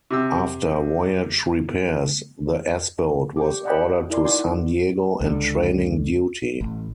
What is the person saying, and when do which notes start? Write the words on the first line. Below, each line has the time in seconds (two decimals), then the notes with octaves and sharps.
After voyage repairs, the S-boat was ordered to San Diego and training duty.
0.11 C3 E6
3.37 G4 G#5 C#6 D6
3.64 D5 D#5 F#5 G5 A5 B5
4.10 E4 A#4 D5 G#5 C6
4.24 D#4 F#4 D5 G#5 C6
4.39 E4 F#5
5.21 C#2 D3
6.61 A1